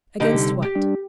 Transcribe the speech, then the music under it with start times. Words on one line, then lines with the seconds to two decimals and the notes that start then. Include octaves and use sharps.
"Against what?"
0.20 D3 D#4 G4
0.34 C3 G3
0.62 G4
0.75 G3 D4